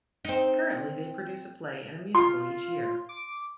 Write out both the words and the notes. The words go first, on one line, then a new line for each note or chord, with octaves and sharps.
Currently, they produce a play and a musical each year.
C4 D#4
F4 C6
D6